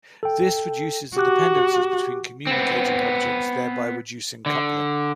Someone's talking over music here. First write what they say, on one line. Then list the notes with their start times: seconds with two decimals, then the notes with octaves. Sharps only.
This reduces the dependencies between communicating objects, thereby reducing coupling.
0.23 A4 G5
1.17 F#4 G4 D6 F#6
2.47 B3 C4
4.46 D3